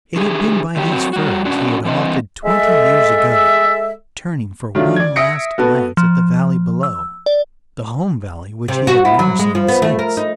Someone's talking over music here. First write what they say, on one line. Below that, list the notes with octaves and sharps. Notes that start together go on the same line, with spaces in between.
It had been by these firs he had halted twenty years ago, turning for one last glance at the valley below, the home valley which he had never seen since.
D3 G4 G#4
D#3 F#3 G4
F#3 C4 F#4
G3 F#4
B2 C#4 D4 F#4
E3 C4 D4 D#5
G#3 A4 E5
D#3 F#3 A3 D4 F4
D5 G#6
E5 D#6 A#6 C#7 D7
B3 F#4 A4 B4
F3
E6
D5
C3
F#4
E4
F#3
G#3
F3
B3
A3
A#4
D#4